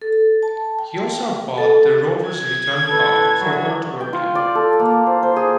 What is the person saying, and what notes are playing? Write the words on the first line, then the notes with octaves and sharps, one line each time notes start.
He also bought the Rovers Return pub for her to work in.
A4
A5
G5
A4
G#6
A1 A4 B4
E3 F#3 D4
G5
F4
D5
A4
A#3
C5
C5
G#4